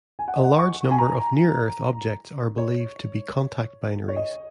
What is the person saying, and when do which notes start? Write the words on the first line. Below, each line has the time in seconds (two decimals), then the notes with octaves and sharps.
A large number of near-Earth objects are believed to be contact-binaries.
0.19 G#5
0.28 F#5
0.36 D#5
0.44 F#5
0.59 C#6
0.91 G#5
0.98 A#5
2.58 C#5
4.08 C#5
4.16 D#5